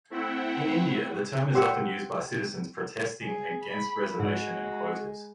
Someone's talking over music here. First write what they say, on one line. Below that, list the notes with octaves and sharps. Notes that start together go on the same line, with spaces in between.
In India, the term is often used by citizens protesting against reservation and quotas.
A3 C4 E4 E5 F#5 G5
G4 C5 E5 F#5
G#4
B5
G#2 G#3 F#4